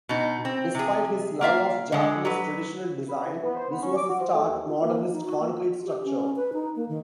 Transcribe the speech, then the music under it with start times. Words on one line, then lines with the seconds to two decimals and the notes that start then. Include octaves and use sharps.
Despite his love of Japanese traditional design, this was a stark, modernist concrete structure.
0.09 B2 D#4
0.45 C4
0.75 C3 G#4
1.41 A#3 F4 E5 F5
1.92 D3 G#3
2.25 F#3 B4
3.08 B4
3.24 E3
3.43 B3
3.55 C5
3.69 B3
3.81 C#4
3.96 D6
4.08 F#4
4.21 F3
4.33 A3
4.46 D#2
4.69 F4
4.84 A#3
5.12 D#4
5.25 F#4
5.40 A#3
5.54 F4
5.84 G4
6.05 C#4
6.36 B4
6.53 D#4
6.76 A#3
6.89 D#3